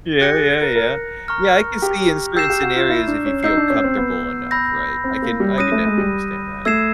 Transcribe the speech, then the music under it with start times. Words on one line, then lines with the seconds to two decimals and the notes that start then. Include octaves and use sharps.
Yeah, yeah, yeah. Yeah, I can see in certain scenarios if you feel comfortable enough, right? I can I can definitely understand that.
0.21 G4 F#6 A#6 C#7
0.34 G#4
0.61 A#4
0.75 A#4
1.28 A#5 C#6 F6
1.82 G4
2.36 G4 E6 G6 C7 E7
2.50 G4
2.63 F#4
2.76 F4
2.90 E4
3.07 D4
3.26 C#4
3.43 D#4 E6 G6 C7
3.57 D4
3.70 C#4
3.84 C4
3.97 B3
4.51 B5 E6 G6 A#6
5.04 C4
5.22 A#3
5.40 G3
5.58 C#4 D#6 F#6 A#6 D#7
5.72 A3
5.85 G#3
5.98 G3
6.65 A3 E6 G#6 C7 E7